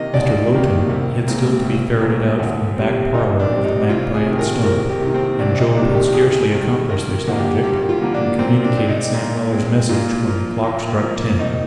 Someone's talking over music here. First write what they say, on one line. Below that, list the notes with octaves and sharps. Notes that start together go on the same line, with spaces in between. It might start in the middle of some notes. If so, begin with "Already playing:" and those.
Mr. Lowten had still to be ferreted out from the back parlour of the Magpie and Stump; and Job had scarcely accomplished this object, and communicated Sam Weller's message, when the clock struck ten.
Already playing: C3 D#3 A#3 D#5
D2 D5
C3 D#3 A#3
C2
A#2 G#3 C4
C2
A#2 G#3 C4
D2
C3 G3 C4
D2 D#4
D4
C3 G3 C4
D#4
C2 F4
G#4
C3 D#3
A#4
C2 A#4
G4
C3 D#3
C4
C2 D4
D#4
C3 D#3 G3 D4
G4
C2 G#4
C3 D#3 G3
G2 A#4
D3 F3 A#3
G4
G2 G4
F4
D3 F3 A#3
D4
A#2 C4
D4
G#3 C4
D#4
A#2
G#3 C4
A#2 F4
F3 A#3
A#2
F3 A#3
C2 D#4